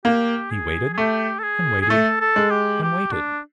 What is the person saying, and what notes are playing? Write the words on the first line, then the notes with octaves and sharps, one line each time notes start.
He waited and waited and waited.
A#3 G4
G#4
G#4
A3 G4
A4
G#4
G#4
A3 A4
A4
G#3
G4
G4
D4